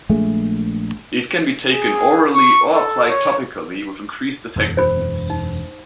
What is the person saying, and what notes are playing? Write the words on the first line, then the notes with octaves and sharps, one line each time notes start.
It can be taken orally or applied topically with increased effectiveness.
A#1 G#3 A3
G#4
C#6
A4
C#5
E1 F#2
C5 B5
D#4